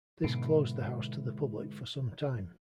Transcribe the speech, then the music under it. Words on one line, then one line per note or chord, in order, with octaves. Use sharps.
This closed the house to the public for some time.
G#2 B2 D3 E3